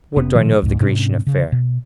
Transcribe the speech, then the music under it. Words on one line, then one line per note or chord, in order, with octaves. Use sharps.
What do I know of the Grecian affair?
F1 C3 B3 C#4
A#2 D#3 F3 D4
C#2 G#2
G#2 C3 C#4 D4
C#3
B2